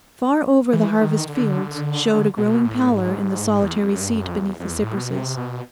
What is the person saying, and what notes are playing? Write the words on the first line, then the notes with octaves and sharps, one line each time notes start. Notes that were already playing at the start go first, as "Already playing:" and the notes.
Far over the harvest fields showed a growing pallor in the solitary seat beneath the cypresses.
E3
D#3
D3
B2
A2
G#2
E2
F2
F#2
G2
F#2
F2
E2
F2
E2
A2
B2
C3
B2